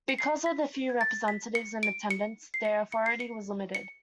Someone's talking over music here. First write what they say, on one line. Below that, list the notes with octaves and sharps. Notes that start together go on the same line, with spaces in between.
Because of the few representatives in attendance, their authority was limited.
C#7
C7
B6
G#6
A6
B6
C#7
D7
C#7
C7
C#7
C#7
C7
C#7
C#7